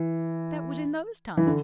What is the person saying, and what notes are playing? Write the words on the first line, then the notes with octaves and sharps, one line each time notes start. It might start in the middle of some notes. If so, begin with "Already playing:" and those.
That was in those times.
Already playing: E3
E3
D3